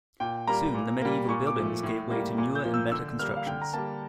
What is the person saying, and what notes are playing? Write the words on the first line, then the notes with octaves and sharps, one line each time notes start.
Soon, the medieval buildings gave way to newer and better constructions.
A#2 G5
G3 A#3 A#5
A#2
G3 A#3
A#2 C#6
D6
F3 A3
A2
G3 A#3
A#2
G6
F3 A#3
E6
D3 E6
G3 A#3 F6
F5
D3 G5
A#5
G3 A#3 A5